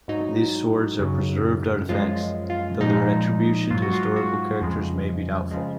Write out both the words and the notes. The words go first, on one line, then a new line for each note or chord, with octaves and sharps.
These swords are preserved artifacts, though their attribution to historical characters may be doubtful.
G#2 F#3 D#4
F#2 C#3 F#3
F#2 F3 G#3 F4
F4
A#2 F3 G#3 D#4
G#2 F#3 F4
F#4
F4
F#4
F2 C#3 F3 G#3
C#3 F3 G#3